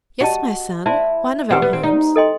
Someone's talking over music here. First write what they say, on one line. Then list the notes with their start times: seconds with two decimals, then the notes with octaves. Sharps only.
"Yes, my son, one of our homes."
0.21 F#4 G4 D#5 A5
0.86 E4 C5 E5 A5 C6
1.50 C4 G4 B4 F#5
1.62 B3
1.73 C4
1.83 D#4
2.16 A4 D#5 G5 C6